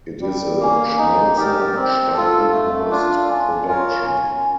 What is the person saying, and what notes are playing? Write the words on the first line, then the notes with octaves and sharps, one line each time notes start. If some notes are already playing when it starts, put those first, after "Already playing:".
It is a Schmelzer-Stapenhorst production.
G3
A#3 C#4
D#4
G4 A#4 D5
C4
F4 A4
A3
D4 F4
C#4
F4 A#4 C#5
C#4